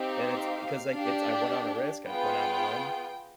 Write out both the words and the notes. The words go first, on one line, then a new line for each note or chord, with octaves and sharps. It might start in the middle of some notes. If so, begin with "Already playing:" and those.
and it's cause, like, it's I went on a risk, I went out on a limb,
Already playing: C4 D#4 G4 F5
D4 G4
B3 F4 G#4 G5